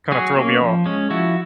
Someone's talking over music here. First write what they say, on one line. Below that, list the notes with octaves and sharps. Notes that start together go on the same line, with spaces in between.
kinda throw me off.
F#3 F#4 G#4
A#3 C#4
F3
G#3 C#4
F3 E4 F#4